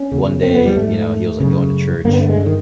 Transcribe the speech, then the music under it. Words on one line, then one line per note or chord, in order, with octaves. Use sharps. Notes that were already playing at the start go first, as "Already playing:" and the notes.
one day, you know, he was, like, going to church
Already playing: C#4
E2 C#3
C4
B3
G3
G#2 A3
F#2 C#3
G2 D3 A#3
B3
A3
G#3
D3
D#3